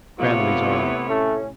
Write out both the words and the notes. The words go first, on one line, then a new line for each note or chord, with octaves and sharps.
Cranly's arm.
C3 A3 B3 E4 F4 C#5
A2 A3 C#4